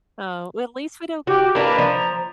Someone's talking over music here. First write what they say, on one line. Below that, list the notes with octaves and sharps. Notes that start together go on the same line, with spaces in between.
Oh, at least we don't
F#4 G4
A#3 D4 B4 A#5
F3